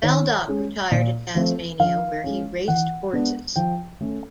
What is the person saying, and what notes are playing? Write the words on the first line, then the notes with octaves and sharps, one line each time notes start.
Baldock retired to Tasmania where he raced horses.
D#3 C#5
G#3 C#4
A#2
F3 A3 C4
F3 F5
G#3 C#4
E3 F#5
G#3 B3 D4
F3 G5
A3 C#4